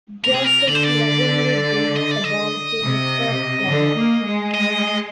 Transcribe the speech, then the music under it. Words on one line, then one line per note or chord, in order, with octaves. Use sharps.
Josif lovingly brings the boy to his first climax.
C3 A#4
G#4
A#4
D3 D5
C5
D5
D#5
D5
D#5
C3
D3
A#3
G#3
D#5